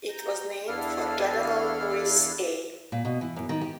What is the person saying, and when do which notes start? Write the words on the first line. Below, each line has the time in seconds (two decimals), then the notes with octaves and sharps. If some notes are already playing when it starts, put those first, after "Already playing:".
It was named for General Lewis A.
0.09 A#5 G6
0.68 E2 D4 E4 A4 F5 F6
2.92 A#2
3.05 B2
3.21 E3
3.36 F#2
3.49 D#3
3.61 G4